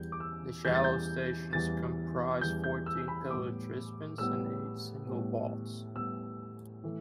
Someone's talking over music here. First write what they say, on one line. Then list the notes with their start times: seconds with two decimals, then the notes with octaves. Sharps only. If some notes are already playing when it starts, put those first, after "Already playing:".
The shallow stations comprise fourteen pillar-trispans and eight single vaults.
Already playing: E2 E3 G3 G6
0.12 D6
0.20 E6
0.65 E2 E3 G3 G6
0.75 A6
0.84 G6
1.53 E2 E3 G3 A6
2.41 E2 E3 G3 G6
2.64 G6
2.86 E6
3.08 B5
3.30 A2 G3 B3 D6
4.18 A2 G3 B3 E6
5.07 A2 G3 B3
5.95 A2 G3 B3 E6
6.84 E3 A3